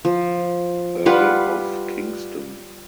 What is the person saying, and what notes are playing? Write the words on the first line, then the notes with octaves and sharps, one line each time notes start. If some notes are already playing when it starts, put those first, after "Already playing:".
Earl of Kingston.
F3
G3 F4 B4 F#5